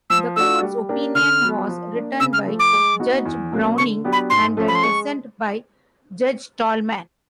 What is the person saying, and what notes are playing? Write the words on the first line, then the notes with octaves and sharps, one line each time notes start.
The court's opinion was written by Judge Browning, and the dissent by Judge Tallman.
F3 E6
A3 D4 F#4 E6
G3
A#3 D4 G4 A#4
D3 F6
F#3 B3
F3
A#3 D4
C#3 E6
F6
F3 A3
D6
G#3
B3 D#4 F#4
E2
B2 F#3 A#3 C#4
D3 C#6
F#3 B3 D4 G4
B5
G#2 C6
F3 A3 C#4
B5
C6
G#3 C#6